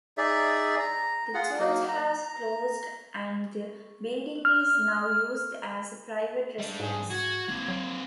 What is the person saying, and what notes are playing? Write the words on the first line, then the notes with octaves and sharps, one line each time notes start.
The church has closed and the building is now used as a private residence.
D#4 G#4 D5 E5
A#5
F4 G#4 F#5
F#3 A#3 D#4
A#5
F6
G3 D4
G#2 G#4
F#4 G#6
F#1 A#3 C4
F#3